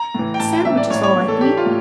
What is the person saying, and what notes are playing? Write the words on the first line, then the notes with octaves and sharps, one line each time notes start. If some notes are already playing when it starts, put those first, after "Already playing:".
A sandwich is all I need.
Already playing: A#5
A2 E3
G5
A1 A5
G5
A2 E3 E5
D5
A1 C#5
C#5
A2 E3
A4
A1 G4
F4
A2